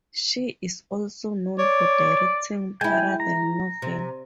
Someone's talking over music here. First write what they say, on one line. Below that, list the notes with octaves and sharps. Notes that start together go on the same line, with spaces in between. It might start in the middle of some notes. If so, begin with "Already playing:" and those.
She is also known for directing "Parallel Novel".
C#5 D5
G#3 E4 G5 G#5
A#5
C3